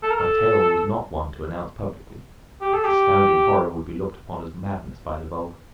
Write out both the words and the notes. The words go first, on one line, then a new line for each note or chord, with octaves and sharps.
My tale was not one to announce publicly; its astounding horror would be looked upon as madness by the vulgar.
A4
A#4
A4
G4
A4
G4